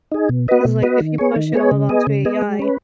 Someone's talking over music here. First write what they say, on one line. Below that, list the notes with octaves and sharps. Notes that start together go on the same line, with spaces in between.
'cause like if you push it all onto AI
D#4 G#4
B2
B3 F#4 B4 D#5
B2
B3 F#4 B4 D#5
D#3
B3 G#4 C#5
D#3
B3 G#4 C#5
C#3
B3 G#4 D#5
C#3
B3 G#4 D#5
G#3
C#4 B4